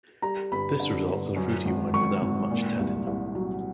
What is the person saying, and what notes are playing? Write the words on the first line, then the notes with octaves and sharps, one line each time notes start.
This results in a fruity wine without much tannin.
G3 A#5
G1 B5
D3
G1
F#2
G#1
G#1 C#6
G#1
A#2
C2
C2
F#3